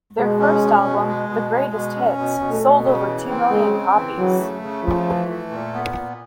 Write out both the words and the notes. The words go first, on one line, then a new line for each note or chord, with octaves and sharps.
Their first album, "The Greatest Hits", sold over two million copies.
B2 G#3
C#4
B2
B2
G#3
B2
G#3
B2
C#4
B2
B2
A3
B2
C#3
E3
C4
C#3 G#3
C4
E3
C#3 F#3
A3
C#3
F3 A3
E3
A3
A#2
B3
A#2